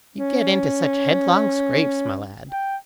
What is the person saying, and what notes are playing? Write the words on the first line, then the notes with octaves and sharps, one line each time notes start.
"You get into such headlong scrapes, my lad."
C#4
G5